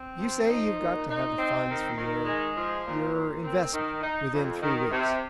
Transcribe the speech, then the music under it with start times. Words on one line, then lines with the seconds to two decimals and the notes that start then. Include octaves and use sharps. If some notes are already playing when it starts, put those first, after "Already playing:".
You say you've got to have the funds for your--your investment within three weeks.
Already playing: C4
0.20 F3
0.49 D#4
0.79 A#2
1.09 D#4
1.38 C4
1.68 D#3
1.97 D#3
2.26 G#3
2.57 F3
2.85 A#2
3.14 A#2
3.44 C4
3.73 D#3
4.03 D#4
4.33 F2
4.62 D#3
4.91 C3